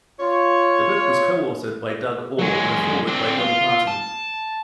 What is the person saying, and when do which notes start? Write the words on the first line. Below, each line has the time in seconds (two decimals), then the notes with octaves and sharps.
The book was co-authored by Doug Orr with a Foreword by Dolly Parton.
0.19 F4 C#5
2.39 F#3 G#3
3.07 C4 D4
3.39 F4
3.87 A5